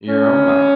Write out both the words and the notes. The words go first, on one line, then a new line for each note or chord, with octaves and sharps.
your own mind?
C#4